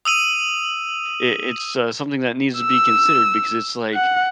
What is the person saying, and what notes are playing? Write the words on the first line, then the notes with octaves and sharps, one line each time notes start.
I it's, uh, something that needs to be considered because it's like,
D#6 E6 D#7 F#7
E6
F#5